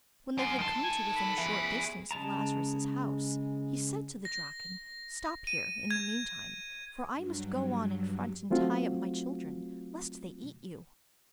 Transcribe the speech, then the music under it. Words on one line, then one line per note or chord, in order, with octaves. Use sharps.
When they had come to within a short; distance of Lazarus's house, he said to the Draken: 'Stop here, in the meantime, for I must go on in front and tie up my children, lest they eat you.'
F#2 C6
D#3 A4 C6
G#5
B5
G#4 E5
C#3 G#3 A5 A#5
A#6
D#7
G#6
G2 F#3
F#3 A3 C4 F4 F#4